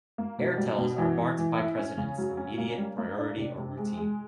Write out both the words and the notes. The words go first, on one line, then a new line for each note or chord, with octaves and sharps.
Airtels are marked by precedence: immediate, priority, or routine.
A#3
B2
G3
B2
E3
E3
E3
E4
C#4
C#3
F#3
C#4
A#3
G3
A#3
D4
C3
C3
G#3
G#3